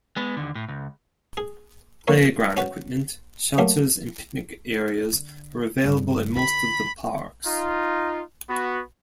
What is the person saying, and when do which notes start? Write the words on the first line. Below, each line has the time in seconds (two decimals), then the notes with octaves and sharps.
Playground equipment, shelters and picnic areas are available at most of the parks.
0.16 G#3 B3
0.37 D#2 D3
0.55 A2
0.68 C#2
1.37 G#4
2.08 F2 A#3 A#4 C#5
2.57 C#4 F#4 B4
3.58 F#3 A3 A#3 G4 A#4
5.13 D3
5.85 G2 C#3
6.36 D3 B5
7.46 D#4 F4
8.49 B3 F#4